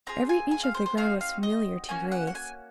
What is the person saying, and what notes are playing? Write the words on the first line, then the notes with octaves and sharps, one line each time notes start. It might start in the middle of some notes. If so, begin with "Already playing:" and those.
Every inch of the ground was familiar to Grace.
C4 F4 G#4 A#5
G#5
G#5
F5
C5
C5
C4 D#4 F#4 F5
F5
D#5
A#3 C#4 F#4 G#5
F#5
F#5
G#5